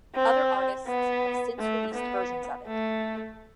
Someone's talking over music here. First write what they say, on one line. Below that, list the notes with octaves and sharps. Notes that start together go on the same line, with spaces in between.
Other artists have since released versions of it.
C4
B3
A3
B3
A3